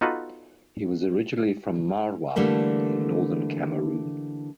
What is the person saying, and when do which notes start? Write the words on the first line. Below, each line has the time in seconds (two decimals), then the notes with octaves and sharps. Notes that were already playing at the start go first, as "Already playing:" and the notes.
He was originally from Marwa in northern Cameroon.
0.01 B3 D#4 F4 F#4 A4 B4
2.36 D3 E3 G3 A3 A#3